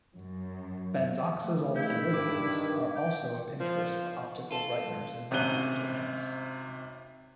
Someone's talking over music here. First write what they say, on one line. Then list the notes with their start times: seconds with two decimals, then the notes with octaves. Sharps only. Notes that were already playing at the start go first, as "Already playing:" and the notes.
Benzoxazole derivatives are also of interest for optical brighteners in laundry detergents.
0.15 F#2
1.44 A3
1.76 D#3 E4 G6
2.14 G2 D6
2.96 G5
3.60 F3
4.51 F4 A4
5.31 G#1 C3 C#4 F#6 D#7 G7